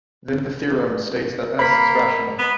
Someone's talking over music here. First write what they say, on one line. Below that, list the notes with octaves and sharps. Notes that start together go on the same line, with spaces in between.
Then the theorem states that "S" is rational.
A#3 B5 B6
B3